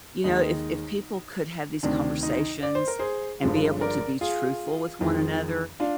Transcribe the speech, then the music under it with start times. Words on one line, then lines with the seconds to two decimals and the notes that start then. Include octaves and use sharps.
you know, if if people could have these conversations and be able to be truthful with one another
0.24 D#2 D#3 G#3 D#4
1.83 D2 C3 D#3 D4
2.23 D#4
2.63 D5
2.75 C5
2.88 A#4
2.99 G#4 C5
3.42 G1 G2 D3 F3 G#3
3.81 A#4 D5
4.21 F4 G#4
5.01 F2 D#3 G#3
5.80 D4 F4